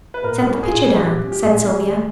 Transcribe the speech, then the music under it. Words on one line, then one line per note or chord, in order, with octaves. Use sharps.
"Set the pitcher down," said Sylvia.
B4
A#2 A#4
G3 C#4
A#2 G#4
G3 C#4
A#2 G4
G3 C#4
G4
A#2 G#4
G3 C#4
D#2